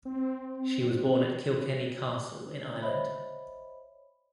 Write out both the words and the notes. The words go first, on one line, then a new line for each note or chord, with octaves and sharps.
She was born at Kilkenny Castle in Ireland.
C4
C5 C#5 D#5 E5 B5